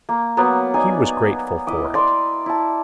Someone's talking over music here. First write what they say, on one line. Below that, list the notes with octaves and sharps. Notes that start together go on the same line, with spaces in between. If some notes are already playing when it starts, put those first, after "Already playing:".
He was grateful for it.
A#3
F#3 A#3 B3
D#4 D5 G#5
E4 D#5 D6
D5 C6 D6
E4 A5